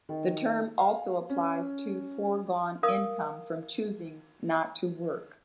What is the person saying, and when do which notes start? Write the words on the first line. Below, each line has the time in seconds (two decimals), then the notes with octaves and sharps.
The term also applies to foregone income from choosing not to work.
0.09 D#3
0.78 F5
1.29 C#4
2.83 A#4 F5 D#6